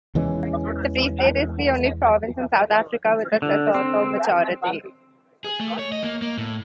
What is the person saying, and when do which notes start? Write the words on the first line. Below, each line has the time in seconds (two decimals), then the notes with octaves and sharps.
The Free State is the only province in South Africa with a Sesotho majority.
0.15 E2 E3 G#3 C#4
3.42 D3
3.75 C4
5.44 G#4
5.60 A3
5.79 C#5
5.92 D#5
6.04 A#3
6.22 A#3
6.38 A2